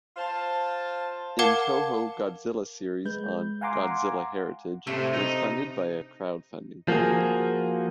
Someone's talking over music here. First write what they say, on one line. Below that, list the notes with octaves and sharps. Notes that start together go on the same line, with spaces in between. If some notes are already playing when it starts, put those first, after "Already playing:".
In Toho Godzilla Series on "Godzilla: Heritage" was funded via crowdfunding.
F4 C5 A5
A#4 F5 F#5 A5 D6 G#6
G#3 B4 G6
F5 F#5 G#5 A#5 C6 D6
A2 C3 A3
D#4
F3 A#3 F#4 G#4